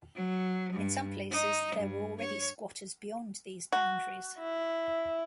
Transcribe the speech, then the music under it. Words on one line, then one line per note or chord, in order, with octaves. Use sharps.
In some places there were already squatters beyond these boundaries.
F#3
G2
D#4
G2
C#5
F#4
E4